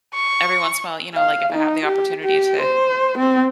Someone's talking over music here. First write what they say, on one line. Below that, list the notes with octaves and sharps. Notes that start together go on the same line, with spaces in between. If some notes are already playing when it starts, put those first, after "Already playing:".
every once in while, know, like if I have the opportunity to,
C#6
F5
D#4
G4
G4
C5
C4